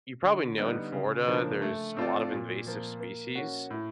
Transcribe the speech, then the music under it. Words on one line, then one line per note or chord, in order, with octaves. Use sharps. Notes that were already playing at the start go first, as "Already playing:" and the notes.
you probably know in Florida, there's a lot of invasive species,
D3
G3 B3 D#4
C#3
F3 A#3 D4
A3
C4 F4 A4 D5
A#2
F3 A#3
A#3
C#4 F#4
A2